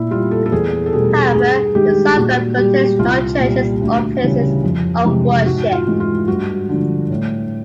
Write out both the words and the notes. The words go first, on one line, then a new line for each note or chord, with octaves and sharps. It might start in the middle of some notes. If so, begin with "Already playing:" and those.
However, the suburb contains no churches or places of worship.
Already playing: A#2 E4
G3 F4
A4
A4
E2 G#4
A4
B2 G3 G#4
G2 G#4
D#3 G#3 G4
A#2 F#4
G3 G4
C2 F4
A#2 G3
D2
C#3 E3 G3
F2
C3 E3 G#3
G#2 F#4
F4
E3 G#3
F4
G2 F#4
D3 F3
A2